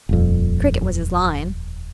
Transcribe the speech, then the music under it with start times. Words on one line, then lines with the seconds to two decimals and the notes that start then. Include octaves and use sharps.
Cricket was his line.
0.09 D#1 F2